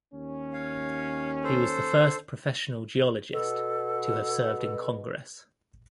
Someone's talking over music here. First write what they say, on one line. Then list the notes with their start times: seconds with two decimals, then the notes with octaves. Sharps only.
He was the first professional geologist to have served in Congress.
0.13 D#2 C#4
0.53 C#5 F5
1.44 A4 C5
3.33 B2 A4